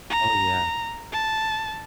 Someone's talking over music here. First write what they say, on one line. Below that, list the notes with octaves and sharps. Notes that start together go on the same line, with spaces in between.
oh, yeah.
A#5
A5